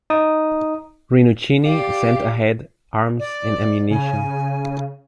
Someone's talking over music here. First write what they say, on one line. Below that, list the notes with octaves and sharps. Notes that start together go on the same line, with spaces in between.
Rinuccini sent ahead arms and ammunition.
D#4 D#6
G4 D5 F5
D5
C#3 G#5